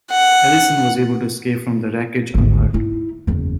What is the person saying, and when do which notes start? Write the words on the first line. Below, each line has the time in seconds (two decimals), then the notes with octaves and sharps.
Ellyson was able to escape from the wreckage unhurt.
0.10 F#5
2.35 G#1 D2
2.73 D#4 E4
3.27 F#1 E2